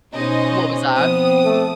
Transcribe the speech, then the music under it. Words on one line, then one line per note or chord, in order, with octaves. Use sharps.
What was that?
B2 B3 C#4 D#4 G#4 C5 D#5
F3 B3 C4 D#6
A3